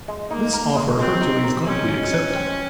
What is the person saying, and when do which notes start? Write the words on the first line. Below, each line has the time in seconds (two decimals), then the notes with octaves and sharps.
This offer Hercules gladly accepted.
0.08 G#3
0.30 A#3 D#4
0.53 A#4
0.76 G#3
0.99 G#3 C4
1.21 D#4
1.44 A#4
1.66 G#3 C#4
1.89 G#3
2.12 D#4
2.35 C4